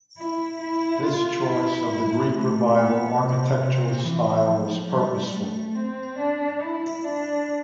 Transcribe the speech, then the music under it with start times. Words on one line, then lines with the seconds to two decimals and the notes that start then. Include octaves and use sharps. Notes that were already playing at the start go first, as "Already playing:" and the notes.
His choice of the Greek Revival architectural style was purposeful.
0.18 E4
0.60 E4
1.03 F4
1.46 E4
1.90 E4
2.32 A3
2.76 B3
3.18 C3
3.61 C3
4.04 E3
4.47 F3
4.90 G3
5.32 A3
5.75 C4
6.18 D4
6.62 E4
7.04 D4